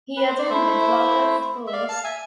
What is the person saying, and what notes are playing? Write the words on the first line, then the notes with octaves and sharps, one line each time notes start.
He attended local schools.
B4
C5
D5
A3 E4 C5 E5
E5
D5 F5
F5 A5
E5 G#5